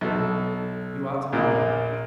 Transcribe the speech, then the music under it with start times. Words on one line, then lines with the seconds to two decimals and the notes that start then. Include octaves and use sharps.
You ought to know better.'
0.01 B1 A4
1.33 A#1 A#2 A#3